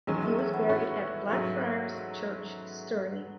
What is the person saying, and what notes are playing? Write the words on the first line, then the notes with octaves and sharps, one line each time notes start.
He was buried at Blackfriars' Church, Stirling.
E2 D#3 F#3 G#3 C#4
A3
A3
B3
A2 G#3 A3 C#4 F#4
G#2 F#3 A3 C#4 F#4